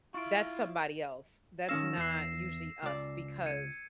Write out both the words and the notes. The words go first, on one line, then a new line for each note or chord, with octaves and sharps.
that's somebody else. That's not usually us because
E4 F4 C#6 D7
D#3 C#4 F5 E6 A#6 E7
E2 C7 E7
C#2 D5
G#6 C#7 D#7